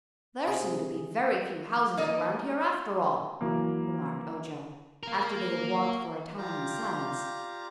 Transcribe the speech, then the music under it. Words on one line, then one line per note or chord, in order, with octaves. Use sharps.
"There seem to be very few houses around here, after all," remarked Ojo, after they had walked for a time in silence.
C3 G#4
A#3 D#4 D5 D#5
E3 F#3 A#3
A#3 A#4
F4 G4 D5 F5 A#5